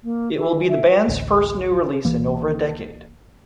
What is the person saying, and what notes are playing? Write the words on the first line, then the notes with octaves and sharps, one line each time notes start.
It will be the band's first new release in over a decade.
A#3
E3
E5
A1 D2
C2 E3 A#3